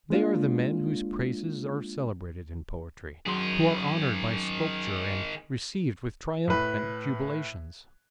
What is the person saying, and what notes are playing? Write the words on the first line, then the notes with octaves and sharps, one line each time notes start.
They are the men whose praises are celebrated in poetry, who are honored by sculpture and received with triumphant jubilations.
G#3 A#3 D4 F4
F#2 D#3 G#4 C6
A2 B4